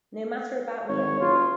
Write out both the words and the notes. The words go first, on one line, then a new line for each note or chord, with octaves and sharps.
No matter about me, uncle.
G#1 C#5
F#1 F4